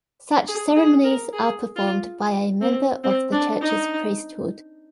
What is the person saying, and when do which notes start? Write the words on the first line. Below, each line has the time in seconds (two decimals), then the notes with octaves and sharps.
Such ceremonies are performed by a member of the church's priesthood.
0.48 G#4
0.76 G#4
1.04 A#4
1.33 G#4
1.76 F4
2.61 C4
3.04 C4
3.32 D4
3.61 D#4